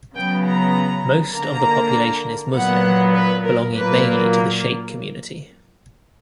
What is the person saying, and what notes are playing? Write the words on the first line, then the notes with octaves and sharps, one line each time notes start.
Most of the population is Muslim, belonging mainly to the Shaikh community.
C#3 F#3 B3 G5
A#5
D3 A#3 A#5
A#2 F#3 B3 F#5
B4
A#4
A#2 F#3 A#3 B4